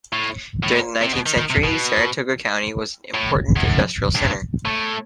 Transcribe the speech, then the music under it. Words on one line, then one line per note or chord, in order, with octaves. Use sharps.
During the nineteenth century, Saratoga County was an important industrial center.
A2
A2
C3
B2
D#3
D#3
C3
B2
A2
E2
F#2
G2
A2